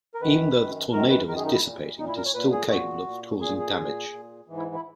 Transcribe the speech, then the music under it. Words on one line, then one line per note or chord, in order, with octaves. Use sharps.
Even though the tornado is dissipating, it is still capable of causing damage.
A#4
F#2 D#3 B4
F#2 D#3
F#2 D#3 A#4
B4
F#2 D#3 A#4
G#4
D#4
E4
A#2
A#2 D#4
E4
A#4
C#5
A#2 B4
G#4
A#2 F#4
A#2
A#2 G#4
G#4
A#2
A#2
G#2 E3
E4
E4